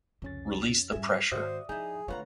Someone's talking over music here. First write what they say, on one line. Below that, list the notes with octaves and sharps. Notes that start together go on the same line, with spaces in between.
Release the pressure.
C2 F2 C#3 C#4 A6
G#2 G3 E5 G#5
G#2 D#3 F#4 C5 D5 E5 D#6
F3 D#4 E4 G#4
D3 A3 F4 B4 C#5 F#5 A#5